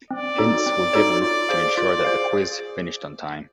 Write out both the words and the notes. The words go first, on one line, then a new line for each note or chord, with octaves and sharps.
Hints were given to ensure that the quiz finished on time.
C4 D5
D#4 F#4 A4 C#5
C4
D#4 F#4 A4 C#5
F4 D5
G#4 C5 F5
F4 D5
G#4 C5 F5
G#4